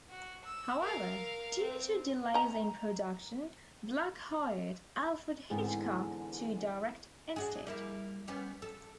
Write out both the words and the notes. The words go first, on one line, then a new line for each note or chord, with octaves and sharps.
However, due to delays in production, Black hired Alfred Hitchcock to direct instead.
F#4
E6
A#4 F5
C4
D#5 A#5
E2 G#2 D3 B3 C4
D4 F#4 G#4
G3 A#3 E4
G3 B3 C#4
A4